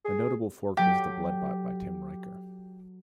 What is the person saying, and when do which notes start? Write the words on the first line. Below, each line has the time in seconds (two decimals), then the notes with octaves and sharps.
A notable fork was blootbot by Tim Riker.
0.05 G#4
0.77 F#3 G4 A4